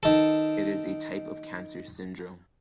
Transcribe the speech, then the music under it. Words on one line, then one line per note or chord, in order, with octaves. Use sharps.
It is a type of cancer syndrome.
D#3 A4